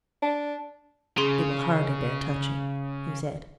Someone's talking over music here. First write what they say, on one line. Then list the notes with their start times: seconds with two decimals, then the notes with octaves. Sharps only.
"It will hardly bear touching," he said.
0.22 D4
1.18 C#3 G#4 C6